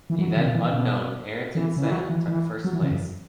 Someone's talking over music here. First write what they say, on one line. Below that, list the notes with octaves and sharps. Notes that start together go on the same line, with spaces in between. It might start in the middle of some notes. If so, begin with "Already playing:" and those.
A then unknown Ayrton Senna took first place.
E3
F#3
E3
C#3
B2
E3
B2
E3
C#3
E3
F#3
E3
E3
F#3
E3
C#3
F#2